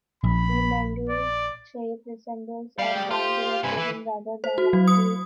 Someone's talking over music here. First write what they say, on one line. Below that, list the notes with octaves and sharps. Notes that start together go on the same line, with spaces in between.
The Mendel's shape resembles a triangular prism rather than a cube.
A#1 B5
D5
G3 F5
G#3 G4 D5
F4 G4 C5
G2 C3 B4 G#5
E3
C5
F#4
F#3
D#6